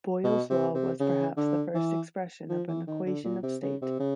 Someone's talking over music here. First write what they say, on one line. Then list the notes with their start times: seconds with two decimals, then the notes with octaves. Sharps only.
Boyle's Law was perhaps the first expression of an equation of state.
0.24 B2
0.50 C3
0.75 C3
1.00 C#3
1.37 D3
1.74 E3
2.49 F3
2.68 E3
2.87 D#3
3.06 D3
3.24 A#2
3.43 C3
3.62 C#3
3.82 C3
3.99 C#3